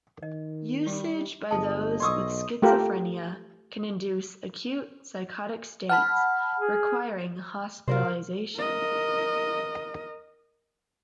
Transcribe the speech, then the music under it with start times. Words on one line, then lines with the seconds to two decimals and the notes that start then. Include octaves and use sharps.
Usage by those with schizophrenia can induce acute psychotic states requiring hospitalization.
0.23 D#3 D#5
0.86 G3 G4
1.51 G1 G#4 D#5 A5
2.00 B1 D5 C6 C#6 D#6 E6
2.62 A3 F4 G4 A#4
5.89 F#5 A5 B5 F6
6.59 G#4
7.88 C3 F4 A#4 C5
8.56 A#4 D#5